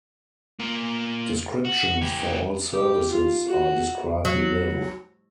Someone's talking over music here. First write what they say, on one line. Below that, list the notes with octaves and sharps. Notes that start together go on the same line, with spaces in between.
Descriptions for all services are described below.
A#2 A#3
F#4
E3 G4
G4
F4
F#4
F#3